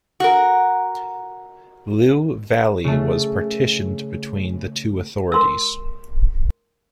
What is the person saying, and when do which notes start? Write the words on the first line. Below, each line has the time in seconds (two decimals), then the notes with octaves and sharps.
Lliw Valley was partitioned between the two authorities.
0.20 F#4 A#4
2.84 C#3 A3
5.32 A#4 C6 E6